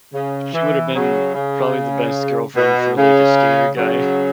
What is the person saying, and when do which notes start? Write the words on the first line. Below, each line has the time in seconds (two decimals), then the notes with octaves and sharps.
she woulda been probably the best girlfriend for, like, a skater guy.
0.13 C#3
0.54 E3
0.94 C#3 F#3
1.35 C#3
2.56 B2
2.97 C#3
3.78 C#3 F#3